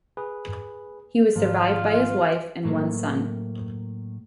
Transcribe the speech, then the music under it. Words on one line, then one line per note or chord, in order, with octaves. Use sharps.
He was survived by his wife and one son.
G#4 B4
G#1 F3 F#3 F4
A2 F#3 A3 A#3